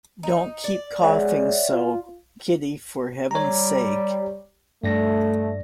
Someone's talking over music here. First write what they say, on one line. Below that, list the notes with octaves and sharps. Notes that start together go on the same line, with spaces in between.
Don't keep coughing so, Kitty, for Heaven's sake!
D#4
D5
G#3 C#5 E5 F#5
F4
G3 C#5 A#5
G2 A3 D5 A#6